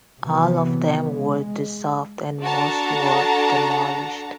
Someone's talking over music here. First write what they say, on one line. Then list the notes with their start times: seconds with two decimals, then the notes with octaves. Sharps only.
All of them were dissolved, and most were demolished.
0.22 C3 E3 F#3 B3
1.08 G#3
2.42 D4 F#4 A4 A5 A#5